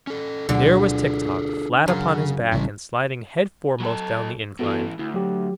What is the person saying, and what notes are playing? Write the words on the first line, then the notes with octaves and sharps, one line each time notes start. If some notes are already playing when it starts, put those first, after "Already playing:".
There was Tik-Tok, flat upon his back and sliding headforemost down the incline.
C#4 A4
D2 B2 D3 F#3 F4 G#4 A4
F#2 C#3 G#4 G#5
A1 C#3 G3 C#4 E4
F#3 A4
A2 E3 B3 F#4 A4
D2 E4
F#3 G4